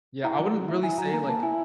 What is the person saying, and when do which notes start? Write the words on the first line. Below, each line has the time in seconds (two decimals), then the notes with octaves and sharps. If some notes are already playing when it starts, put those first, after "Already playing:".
Yeah, I wouldn't really say, like,
0.24 E4 A#5
0.39 F#3
0.54 F#3
0.68 E4
0.83 E4 G#5
0.98 F#3 A#5
1.13 A#3 A#5
1.28 A#3 A5
1.43 E4 G#5